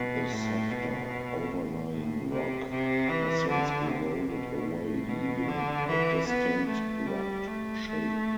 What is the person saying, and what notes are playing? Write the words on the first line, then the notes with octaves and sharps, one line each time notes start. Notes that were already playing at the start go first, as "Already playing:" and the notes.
The softer overlying rock has since eroded away leaving the distinct rugged shape.
Already playing: B2
A2
B2
A2
A2
C3
C3
E3
D3
C3
B2
A2
B2
D3
E3
B3
A3
G3
A3
A3